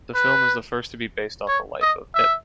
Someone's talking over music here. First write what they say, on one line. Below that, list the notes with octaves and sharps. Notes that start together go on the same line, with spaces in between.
The film is the first to be based on the life of Ip.
B4
C#5
D#5
E5